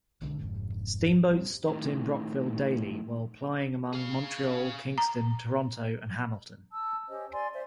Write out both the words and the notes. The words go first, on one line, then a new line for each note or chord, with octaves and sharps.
Steamboats stopped in Brockville daily while plying among Montreal, Kingston, Toronto and Hamilton.
B1 D3 G#3
F1 G#2
G3 A3 C4
A2 D#3
G#4 F5
A#5
A5 E6
C#4 G4 C5 D#5
D5 G#5 C6
C5 E5